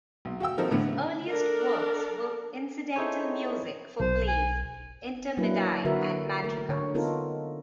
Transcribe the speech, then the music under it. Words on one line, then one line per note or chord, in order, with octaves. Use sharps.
His earliest works were incidental music for plays, "intermedi" and madrigals.
B1
F#4 F5 G5 E6
F3 F#3 C4 D#4 A4 A#4
A2 D3 E3 A3 B3
C#3
D4 A4 A#4
D#4 E4 G#4 A4 C5 C#5
B1 C5
G#5
F#3 A#3 D4 E4 B4
D3 F#4 A#4 B4 E5
A3 A#4
D3 C#5
B3 D#4 F4 A4 A#4